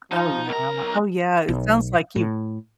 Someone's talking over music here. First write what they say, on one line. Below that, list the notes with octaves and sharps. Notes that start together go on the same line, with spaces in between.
Oh, no, uh, oh, yeah, it sounds like you
F3 D#4
B1 A#4 A#5
B1
A2